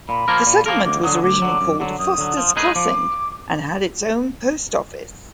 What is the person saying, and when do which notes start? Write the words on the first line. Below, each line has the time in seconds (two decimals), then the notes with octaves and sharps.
The settlement was originally called "Foster's Crossing", and had its own post office.
0.09 A#2 B5
0.28 F3 A#3 F4 A#4
0.46 A#2
0.66 F3 A#3 F4 A#4
0.85 D2 D6
1.04 D3 F#3 D#6
1.23 D2 D6
1.42 D3 F#3
1.61 F#2
1.80 D3 F#3
1.99 F#2 D#6
2.18 D3 F#3
2.37 F3
2.56 G#3 D#4 G#4 B4
2.75 F3 D6